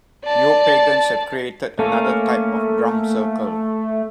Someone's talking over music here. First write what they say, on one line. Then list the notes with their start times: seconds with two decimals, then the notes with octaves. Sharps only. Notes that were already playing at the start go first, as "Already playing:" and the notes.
Neopagans have created another type of drum circle.
0.25 D5 A5
1.79 A3 A#3 C#4